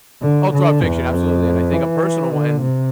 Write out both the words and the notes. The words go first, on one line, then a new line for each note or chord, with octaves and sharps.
All throughout fiction, absolutely. And I think a personal one
D3
D3
E2
F2
E3
D3
C3